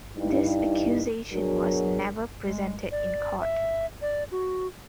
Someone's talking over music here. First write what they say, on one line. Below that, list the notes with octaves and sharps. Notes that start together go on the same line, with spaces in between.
This accusation was never presented in court.
G2 D#4 E4
B2 F#3 D4 F#4 G#4 A#4
G#3
D5
E5
D5
F#4